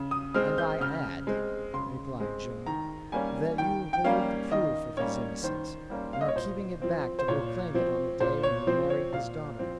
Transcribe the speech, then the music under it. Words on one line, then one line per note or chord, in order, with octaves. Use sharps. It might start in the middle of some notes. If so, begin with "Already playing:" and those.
"And I add," replied Joam, "that you hold the proof of his innocence, and are keeping it back to proclaim it on the day when you marry his daughter."
Already playing: C#3
D#6
G#3 C4 F6
G6
C#3 F6
G#3 C4
C#3 C6
G#3 C4
D#3 A#5
G3 A#3 C#4 G#5
D#3 G5
G5
G3 A#3 C#4 F5
D#3 D#5
G3 A#3 C#4 C#5
D#3 C5
G3 A#3 C#4
F5
D#5
C#5
A#2 C5
F3 C4
C5
A#2 C#5
F3 C4
A#2 C5
C#5
F3 C4 C5
C#5
A#2 F5
F3 C4